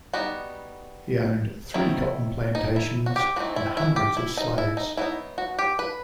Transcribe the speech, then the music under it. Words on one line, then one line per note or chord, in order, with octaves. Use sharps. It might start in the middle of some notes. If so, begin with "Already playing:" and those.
He owned three cotton plantations and hundreds of slaves.
G3 B3 D#4 F#4
D#3 F#3 C4 D#4 E4
D#4
E4
F#4
G4
E3 A3 C4 D#4 F#4
E4
E4
G4
E4
D#4
E4
D#4
F#3 B3 D#4 E4
F#4
G4
B4